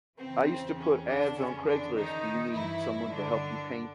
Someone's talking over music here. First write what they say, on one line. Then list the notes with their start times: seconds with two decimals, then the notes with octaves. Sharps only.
I used to put ads on Craigslist. Do you need someone to help you paint?
0.20 E2 C#3 E3 C4
0.78 C#4
1.07 D3 D4
1.37 F2 C#3 E3 C#4
1.66 D3 D4
1.96 D#3 D#4
2.54 G2 D#3 E3 E4
3.13 D3 D4